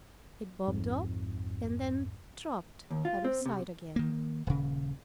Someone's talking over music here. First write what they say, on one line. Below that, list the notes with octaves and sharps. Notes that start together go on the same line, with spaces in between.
It bobbed up and then dropped out of sight again.
A#1 F2 G#2
D#2
F4
C4
C3
D#3 A#3
D#1 C#3